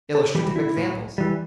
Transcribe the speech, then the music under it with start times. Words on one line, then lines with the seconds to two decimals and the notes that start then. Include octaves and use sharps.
Illustrative examples.
0.15 A4
0.35 E3 G3 G4
0.47 F#4
0.56 E4
0.76 A2
1.18 E3 G3